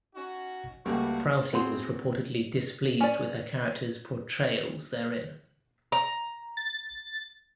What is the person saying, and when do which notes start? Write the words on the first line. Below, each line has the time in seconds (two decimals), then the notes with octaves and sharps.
Prouty was reportedly displeased with her characters' portrayals therein.
0.15 C#4 D#4 F#4
0.86 C#2 G3 A3 A#3 F#4
1.53 B3 C4 F#4 G#4 C6
3.00 C#4 D5
5.92 A#5
6.57 A6